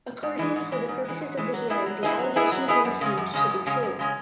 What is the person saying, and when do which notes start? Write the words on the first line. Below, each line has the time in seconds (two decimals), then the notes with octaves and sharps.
Accordingly for the purposes of the hearing the allegations were assumed to be true.
0.23 G#2
0.39 E3 G#3
0.56 G#2
0.72 E3 G#3
0.88 G#2
1.05 E3 G#3
1.21 G#2
1.37 E3 G#3
1.53 F#3
1.69 B3 E4 G#4 D#5
1.86 F#3
2.03 B3 E4 G#4 D#5
2.19 F#3
2.36 B3 E4 G#4 D#5
2.52 F#3
2.68 B3 E4 G#4 D#5
2.85 F#2
3.01 C#3 G#3 C#4
3.17 F#2
3.33 C#3 G#3 C#4
3.50 F#2
3.66 C#3 G#3 C#4
3.83 F#2
3.99 C#3 G#3 C#4